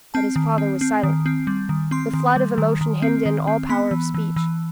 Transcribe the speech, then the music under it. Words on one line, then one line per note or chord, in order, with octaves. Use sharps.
But his father was silent; the flood of emotion hemmed in all power of speech.
C4 A5
D#3
C4
C4
D#3
C4
G3
D#3
C4 C6
D#3
G3
D#3
D#3
C4
D#3
C4
B3 B5
E3
E3
E3